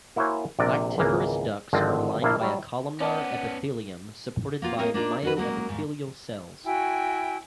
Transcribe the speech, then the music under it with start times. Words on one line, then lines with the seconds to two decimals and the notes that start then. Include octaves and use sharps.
Lactiferous ducts are lined by a columnar epithelium supported by myoepithelial cells.
0.16 A#3 E4 F#4 C5 C#5 G#5
0.59 A#1 C3 A#4 D5 F#5
0.98 G#1 C#2 E3 A#3
1.73 G#1 D3 F3 C4 D#5
2.22 A#1 F3 A#3 E4 F5 A5
2.41 F#3 G3 G4
3.00 B3 C#4 D5 F#5 A5 D6
4.62 A#3 B3 F4
4.78 A#3 C4 A#4 C#5 D#5
4.94 A#3 D4 D#4 F4 D5
5.23 C#4 F#4 B4
5.36 F#3 G#3 A#3 C#4
5.69 D#2 G#2
6.65 E4 F#4 G5 G#5